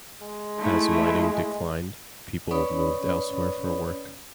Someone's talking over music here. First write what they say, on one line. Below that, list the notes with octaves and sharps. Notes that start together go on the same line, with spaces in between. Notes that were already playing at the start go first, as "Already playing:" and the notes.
As mining declined, people moved elsewhere for work.
G#3
A3 E4
C#4 B4 C#5 D5 B5 D#6